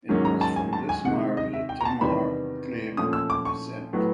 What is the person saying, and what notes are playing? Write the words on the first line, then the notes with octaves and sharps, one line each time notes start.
It was from this marriage that Timur claimed descent.
G#2 D#3 F#3 A#3 C#4
A#5
A5
G#5
A5
G#5
C3 D#3 G#3 F#5
D#5
E5
G5
A#5
A5
E2 C3 D#3 G3 B3 B5
A#2 F3 A3 C#4 D#6
E6
D6
C#6
A2 F#3 B3